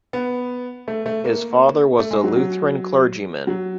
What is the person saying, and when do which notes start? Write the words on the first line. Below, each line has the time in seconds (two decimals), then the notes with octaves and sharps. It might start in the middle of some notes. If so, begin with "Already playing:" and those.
His father was a Lutheran clergyman.
0.13 B3
0.88 A3
1.06 A3
1.25 A#3
1.99 A3
2.11 G#3
2.24 F#3
2.36 F#3
3.47 F#3